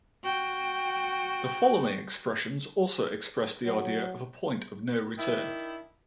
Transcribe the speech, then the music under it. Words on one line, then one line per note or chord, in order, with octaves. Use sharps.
The following expressions also express the idea of a point of no return.
F#4 G5
F#3
D#3 D4 E4